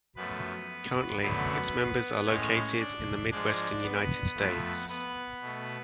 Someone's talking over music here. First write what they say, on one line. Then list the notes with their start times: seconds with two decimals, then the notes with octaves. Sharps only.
Currently, its members are located in the midwestern United States.
0.16 F#2 F3 A3 B3 B4
1.21 F#2 D3 F#3 A3 B3 B4
2.26 A2 G#3 C#4 C#5
2.79 D4 D5
3.31 G#2 F3 G#3 D4 D5
3.83 B3 B4
4.36 F2 F3 A3
4.89 B3 B4
5.40 B2 A3